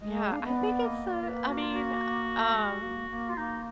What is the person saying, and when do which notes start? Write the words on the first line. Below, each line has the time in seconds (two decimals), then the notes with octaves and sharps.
Yeah, I think it's, uh I mean, um,
0.01 G#3 D#5
0.29 D4 F5
0.43 B3 D#5
0.57 D5
0.85 A#3 D#5
1.06 D5
1.22 A#4
1.27 B4
1.49 F#4
1.62 F4
1.75 F#4
2.53 G#3
2.82 A#3
3.10 A#3
3.29 F4
3.38 A#3 D#4